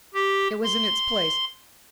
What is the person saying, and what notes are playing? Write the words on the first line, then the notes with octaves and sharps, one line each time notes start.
It was in its place.
G4
C6